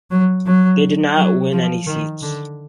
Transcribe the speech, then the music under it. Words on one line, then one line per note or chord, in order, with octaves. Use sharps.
They did not win any seats.
F#3
F#3
F#3
F3
D#3
D3